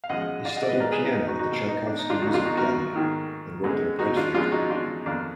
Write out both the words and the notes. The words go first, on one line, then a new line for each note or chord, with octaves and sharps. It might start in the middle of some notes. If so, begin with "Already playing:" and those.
He studied piano at the Tchaikovsky Music Academy, then worked in a bread factory.
F5
F#2 F3 G#3 D#5 F#5
D5 F5
D#5 F#5
D5
B4 D#5
A#2 G#3 A#4 D5
G#4 B4
D#4
D#4
D#4 F#4
D#4 F#4
B2 A#3
D#4
D4
D#4
D4 F4
F2 D3 F#3 D#4 F#4
D4 F4
D#4 F#4
F#4 A#4
G#2 D#3 A#3
F#2 D3 G#3
D#4 F#4
D4 F4
F#2 F3 G#3 D4 F4
D#4 F#4
D4 F4
F2 F3 A#3 D4